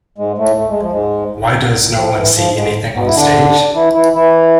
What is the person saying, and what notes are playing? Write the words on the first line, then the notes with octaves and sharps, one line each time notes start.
Why does no one see anything on stage?
G#2 G#3
A2 A3
A3
G#3
F3
G#2 G#3
F3
E3
F3
G#2 G#3
B2 B3
E4
D3 D4
E3 E4
E3 E4
E3 E4